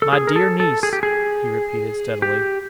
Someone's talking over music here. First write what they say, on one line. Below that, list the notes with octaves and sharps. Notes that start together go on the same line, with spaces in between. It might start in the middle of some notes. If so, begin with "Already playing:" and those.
My dear niece,' he repeated steadily.
A4
G#4
A#4
A4
A4
G#4
G4
G#4
G4